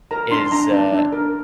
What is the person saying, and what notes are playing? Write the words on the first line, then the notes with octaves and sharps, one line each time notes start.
is, uh
A#4 A#5
D4 C6
D4 A#5
D4
D4
A#4